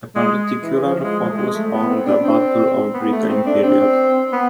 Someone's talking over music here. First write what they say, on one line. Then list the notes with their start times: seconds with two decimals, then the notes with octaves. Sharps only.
A particular focus is the Battle of Britain period.
0.15 G#3
0.62 E3
0.85 F3
1.03 G#3
1.20 F3
1.30 A3
1.37 G#3
1.54 A3
1.72 B3
1.89 C4
2.06 D4
2.24 C4
2.94 B3
3.11 A3
3.29 C4
3.46 D4
3.63 C4
4.33 B3